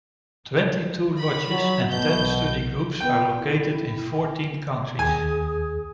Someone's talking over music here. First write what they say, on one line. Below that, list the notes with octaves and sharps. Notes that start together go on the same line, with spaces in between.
Twenty-two lodges and ten study groups are located in fourteen countries.
B5
F#3
B1 B2 G6
B3 G5
E4
D#2 G#4 G#5